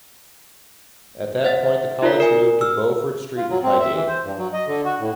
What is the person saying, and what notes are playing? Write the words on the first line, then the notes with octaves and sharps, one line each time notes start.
At that point the college moved to Beaufort Street in Highgate.
C5 E5 F#5 A6
D#4 F4 A#4 D5 B6
A#4 G#5
E6 F6
F4
F#3
C4
E5
E3
C5
G2
F#3
D#5
D3
F#4
A2